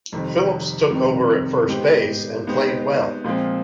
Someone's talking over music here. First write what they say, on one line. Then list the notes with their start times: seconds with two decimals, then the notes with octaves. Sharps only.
Phillips took over at first base and played well.
0.12 F2 C3 D#3 G3 C4
0.90 F2 C3 D#3 G3 C4
1.68 G#3 B3 D#4 G4 C5
2.47 G#3 B3 D#4 G4 C5
3.24 A#2 F3 G#3 C4